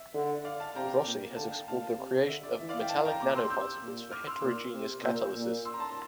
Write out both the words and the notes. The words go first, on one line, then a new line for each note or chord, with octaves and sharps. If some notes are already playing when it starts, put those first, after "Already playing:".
Rossi has explored the creation of metallic nanoparticles for heterogeneous catalysis.
Already playing: E5
D3
D5 F5
F5 A5
C3 G5 A#5
A#2
D3 F5 A5
A#2 F5 A5
C3
D3 E5
D5
E3 E5
D5 F5
E5 G5
E3 F5 A5
G5 A#5
A#2 A#5 D6
C6 E6
C3 E6 G6
A#2
D6 F6
C6 E6
A#2
C3
A#2 E6 G6
A#2
C6 E6
A#5
A5 C6